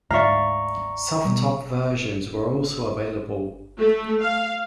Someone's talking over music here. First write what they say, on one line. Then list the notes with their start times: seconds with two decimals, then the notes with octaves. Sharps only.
Soft-top versions were also available.
0.11 D2 G#2 D5 E5 F5 A#5 C#6
1.25 B2 G3
3.79 A3
4.21 F5